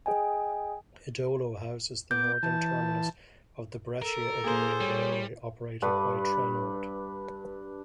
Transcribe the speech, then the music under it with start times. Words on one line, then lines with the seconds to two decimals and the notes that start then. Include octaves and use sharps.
Edolo houses the northern terminus of the Brescia-Edolo railway operated by Trenord.
0.06 G#4 D#5 G5 G#5
2.11 B3 D6 G6
2.43 E3 A5
4.02 A4 A#4
4.44 A#3 G#4 C5
4.81 G3 C#5
5.82 G2 D4 B4